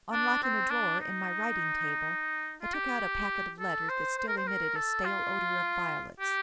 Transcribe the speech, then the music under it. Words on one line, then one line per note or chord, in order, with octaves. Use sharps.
Unlocking a drawer in my writing-table, I took out a packet of letters that still emitted a stale odour of violets.
D4
C4
D4
D#4
F4
G4
A4
C5
C5
A#4
C5
A#4
A4
F4
G4